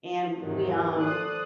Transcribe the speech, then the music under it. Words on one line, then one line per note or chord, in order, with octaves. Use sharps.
and we, um,
E2 G#2 C3 D#3 F#3
A4 C5 D5 D#6 F#6